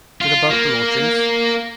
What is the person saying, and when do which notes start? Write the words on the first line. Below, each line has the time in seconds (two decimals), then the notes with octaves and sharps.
"Is it about the lodgings?"
0.21 F4
0.51 A#3